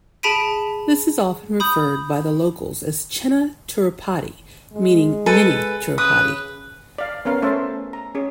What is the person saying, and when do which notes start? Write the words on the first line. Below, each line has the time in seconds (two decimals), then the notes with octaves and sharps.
This is often referred by the locals as "Chinna Tirupati", meaning mini Tirupati.
0.23 G#4 A5 B5 B6 D7 D#7
1.60 B5 D#6 G6
4.73 G#3
5.26 A4 B4 G#5
5.98 C#3 B4 D#6
6.98 D5 F5
7.25 B3 C#4 A#4 F5
7.42 A3 C#4 C5 E5 A5
7.93 A#5
8.15 C#4 G#4